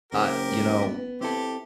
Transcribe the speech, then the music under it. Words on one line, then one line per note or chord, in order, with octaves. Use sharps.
Ah, you know,
F#1 C#3 C4 G4 A#4
B3
C4 E4 G4 A4